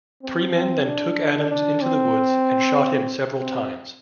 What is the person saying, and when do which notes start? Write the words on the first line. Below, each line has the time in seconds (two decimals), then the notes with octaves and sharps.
Three men then took Adams into the woods and shot him several times.
0.22 C4
0.54 C4
0.87 D4
1.50 D4
1.82 C4
3.40 C4